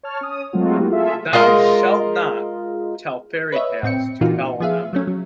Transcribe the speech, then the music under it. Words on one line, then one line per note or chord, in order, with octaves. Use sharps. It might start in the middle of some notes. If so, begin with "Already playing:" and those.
Thou shalt not tell fairy tales to fellow members.
C#5 A5 F6
C#4 D#6
F#3 G#3 A3 C4 F4 F#4
G#3 A#3 E4 F#4 G4
F4 G#4 A4 E5
G#3 F4 A#4 D#5
B4 C#5 D#5 E5
A2 C4 G5 C#7
A#2 E3 A#3 D#4 F4 F#4
F3 B3 G#4 E5 F5
F#3 A3 C#4
F#3